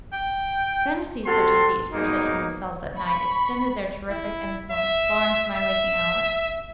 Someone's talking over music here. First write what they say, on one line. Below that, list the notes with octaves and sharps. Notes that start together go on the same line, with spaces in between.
Phantasies such as these, presenting themselves at night, extended their terrific influence far into my waking hours.
G5
C3 F#4 A4 A5 C6
G#2 B2 F#3 A#3 D#4
B5 C#6
E4
E5
E5